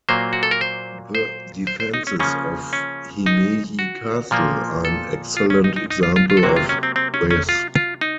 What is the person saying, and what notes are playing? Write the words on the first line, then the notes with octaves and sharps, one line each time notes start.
The defenses of Himeji castle are an excellent example of this.
A#2 F#3 A#3 C5
F#4
A4
A#4
C5
C5
C5
C5
D#4
C#4
C#3 F3 A#3 C#4
C#4
D#4
F#4
A#2 F3 A#3
A4
F4
C#4
D#4
D#4
D#4
F4
F4
F4
A4
C3 F#3 A#3 F#4
F4
C#4
C4
C4
C#4
C#4
F4
F4
D#4